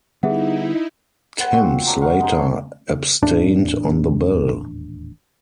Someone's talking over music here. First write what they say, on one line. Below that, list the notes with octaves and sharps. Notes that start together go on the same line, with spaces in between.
Timms later abstained on the bill.
D3 G3 B3 D#4 E4 G#4 E5 F#5
B4 C5 F#5 G5
C4 C#4 F4 F#4
F#3 D4 A#4 E5
G3 F5 F#5 C#6
G#3 D#4 C6
G#4 A4 C5 C#5
D#1 E2 A2 D4